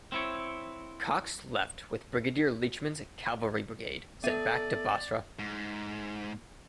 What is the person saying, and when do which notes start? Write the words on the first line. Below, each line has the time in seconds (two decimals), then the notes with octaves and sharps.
Cox left with Brigadier Leachman's cavalry brigade sent back to Basra.
0.12 C4 E4 C#5
4.24 B3 A4 D5 E5 D#7
5.39 G#2